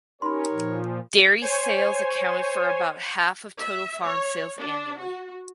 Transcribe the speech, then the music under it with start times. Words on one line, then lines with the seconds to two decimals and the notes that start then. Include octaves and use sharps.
Dairy sales accounted for about half of total farm sales annually.
0.22 C#4 D#4 G4 A#4 C#5 B5 C6
0.52 A#2 F3
1.42 C5 C#5 G#5
3.59 E5
4.03 C#5
4.58 D4
4.98 F#4